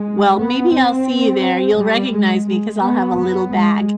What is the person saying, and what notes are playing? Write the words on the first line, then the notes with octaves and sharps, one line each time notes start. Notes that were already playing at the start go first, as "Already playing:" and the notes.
Well, maybe I'll see you there. You'll recognize me 'cause I'll have a little bag.
Already playing: G#3
B3
C4
G3
G#3
G#3
B3
B3
G#3